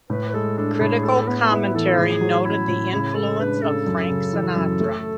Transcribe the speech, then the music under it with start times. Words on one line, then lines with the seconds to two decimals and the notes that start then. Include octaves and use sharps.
Critical commentary noted the influence of Frank Sinatra.
0.10 A2 B4
0.29 B4
0.33 G#3 A4
0.58 D4 A4
0.74 A4
0.80 A2 G#4
1.04 G#4 A4
1.27 B3 B4
1.51 E4 B4
1.75 E3 A4
1.97 A2 G#4
2.21 F#3
2.45 C#4 E4
2.68 A2
2.92 C#3 E4
3.15 G#3 A4
3.39 D4 B4
3.62 C#3 A4
3.86 F#2
4.09 C#3
4.33 E3
4.56 F#2
4.80 A3